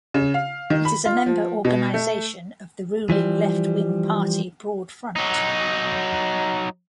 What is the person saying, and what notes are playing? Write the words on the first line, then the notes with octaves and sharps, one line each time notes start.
It is a member organisation of the ruling left-wing party Broad Front.
C#3
F5
D#3
B5
F4
F3
B2
A3
E3 F3 G3
F#3 D#4